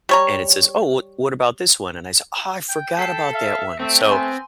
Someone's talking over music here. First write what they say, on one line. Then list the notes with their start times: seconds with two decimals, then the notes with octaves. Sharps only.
and it says, "Oh, wha what about this one?" and I said, "Oh, I forgot about that one." So,
0.09 G3 C#5 A#5
2.69 G5
2.99 A4 B6 C7
3.34 E5 F5
3.80 A3 C4 E5
4.11 B3 G#5 C6